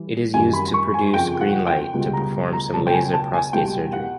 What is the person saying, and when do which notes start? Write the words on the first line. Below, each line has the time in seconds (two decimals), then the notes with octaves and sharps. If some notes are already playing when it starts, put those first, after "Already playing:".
It is used to produce "greenlight" to perform some laser prostate surgery.
Already playing: E3 G3
0.34 F#2 D#3 G3 G#5
0.53 B5
0.74 C#6
0.94 G#5
1.14 F2 C#3 F3 G5
1.41 F#5
1.67 G5
1.93 C#2 B2 G3
2.13 A#5
2.53 A#5
2.73 C#2 B2 F#3 A5
2.87 G5
2.93 G#5
3.13 A5
3.34 G#5
3.53 C2 B2 G3 G5
3.93 F#5